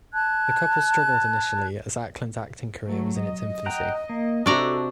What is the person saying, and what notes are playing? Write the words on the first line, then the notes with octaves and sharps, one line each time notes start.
The couple struggled initially as Ackland's acting career was in its infancy.
A5 F#6 G#6
F#3 A3
D#5
F#5 G5 A#5
A#3
C3 D4 F#4 A4 D5 A#5